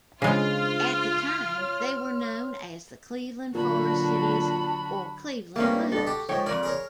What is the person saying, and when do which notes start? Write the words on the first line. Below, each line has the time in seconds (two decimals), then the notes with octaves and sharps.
At the time, they were known as the Cleveland Forest Citys or Cleveland Blues.
0.22 C#3 G#3 D4 F4 G#4 C5 F6
1.58 C#5 C6
3.55 A#2 D3 F#3 F#4 A5 B5
5.56 G2 A#2 A3 A#3 C4 C#4
5.92 G2 B2 A4
6.07 F#4 G4
6.29 G#2 F3 C#5 G5
6.46 F2 D#3 A#4 D5
6.63 G#4 A#4 C#5